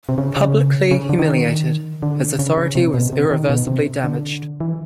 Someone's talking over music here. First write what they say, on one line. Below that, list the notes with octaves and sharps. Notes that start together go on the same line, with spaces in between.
Publicly humiliated, his authority was irreversibly damaged.
C3
C#3
C#3
C#3
D3
D#3
D3
C#3
C#3
C3
B2
C3
D#3
B2
C3
D3
E3